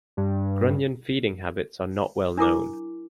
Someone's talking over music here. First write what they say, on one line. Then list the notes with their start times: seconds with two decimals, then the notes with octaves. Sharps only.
Grunion feeding habits are not well known.
0.17 G2
2.37 D4 E4 A#4 D6